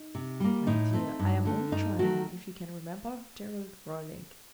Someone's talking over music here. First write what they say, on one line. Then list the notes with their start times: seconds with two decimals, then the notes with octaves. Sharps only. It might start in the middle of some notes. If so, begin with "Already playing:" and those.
"My dear, I am only trying if you can remember Gerard Roylake."
Already playing: D#4
0.15 C3
0.40 G3 A#3
0.67 A2 D#4
0.93 A3 C4
1.19 G2
1.45 D3 A3
1.72 G2 D#4
1.99 D#3 F#3 A3 F#4